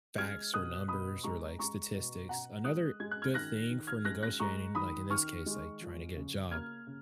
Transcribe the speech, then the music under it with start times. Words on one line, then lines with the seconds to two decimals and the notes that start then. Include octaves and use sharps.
facts or numbers or like statistics, another good thing for negotiating, like in this case, like trying to get a job,
0.18 G#3 F6 G#6
0.53 B2 D#6 F#6
0.88 B2 B5 D#6
1.24 G#3 A#5 C#6
1.59 G#3 A#5 C#6
1.94 B2
2.29 B2 F#5 A#5
2.65 G#3 D#6 F#6
3.00 G#3 G#6
3.11 F#6
3.22 F6 G#6
3.34 D#3 F#6 A#6
3.70 D#3
3.87 F6 G#6
4.05 G#3 F#6 A#6
4.23 F#6 A#6
4.40 G#3 A#5 C#6
4.75 D#3 B5 D#6
5.10 D#3 C#6 F6
5.46 G#3
5.81 F3
6.16 C#3
6.51 A#3 F6 G#6
6.87 C#3